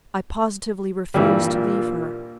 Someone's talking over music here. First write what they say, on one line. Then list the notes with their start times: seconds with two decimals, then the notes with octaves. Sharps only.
I positively refused to leave her.
1.14 G2 A#2 E3 G3